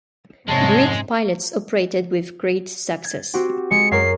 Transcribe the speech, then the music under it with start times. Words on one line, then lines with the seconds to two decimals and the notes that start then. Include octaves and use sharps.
Greek pilots operated with great success.
0.48 F2 G#2 C3 G#3 C#5 F#5 A5
3.04 G#6 A6
3.34 C4 F#4 G4
3.71 G#3 C#7
3.91 F#2 A#4 C#5 C7